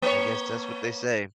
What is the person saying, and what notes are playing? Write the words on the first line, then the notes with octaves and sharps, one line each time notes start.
I guess that's what they say.
A#3 C#5